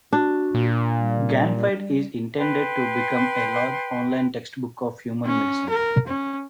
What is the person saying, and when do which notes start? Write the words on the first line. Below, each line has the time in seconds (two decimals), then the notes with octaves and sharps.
Ganfyd is intended to become a large online textbook of human medicine.
0.13 D4 F#4
0.54 A#2
0.99 G3
2.37 B4 G5 C6
5.25 C#4
5.69 A#4
6.07 C#4